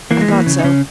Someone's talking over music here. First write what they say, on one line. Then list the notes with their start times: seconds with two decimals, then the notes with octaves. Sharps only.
I thought so.
0.11 E3 A#3
0.21 G#3
0.28 E3 A#3
0.46 C#3
0.59 D#4
0.64 C#3 C#4